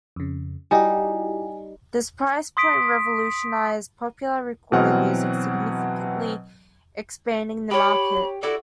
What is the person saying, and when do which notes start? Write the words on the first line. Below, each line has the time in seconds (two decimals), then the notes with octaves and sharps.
This price point revolutionized popular recorded music, significantly expanding the market.
0.16 F2 C#3
0.71 G3 D#4 E4 F#4 G4 G#5
2.57 C6 D#6 B6 D7
4.72 B2 E3 F#3 C4 F#5 F6
7.71 G4 C#5 B5
8.43 E4 F#4 A4 D5